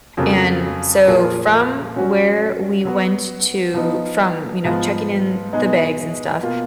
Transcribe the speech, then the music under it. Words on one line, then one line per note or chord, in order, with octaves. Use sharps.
and so from where we went to from, you know, checking in the bags and stuff,
F2 C#3 F#3 A#3
A#2 F3 A#3 F4 G#4
F#3 C#4 F#4
F#3 B3 F#4
F3 B3 D#4
G#2 F3 B3 F4 B4
B2 G#3 B3 D#4 G#4
B2 A#3 F4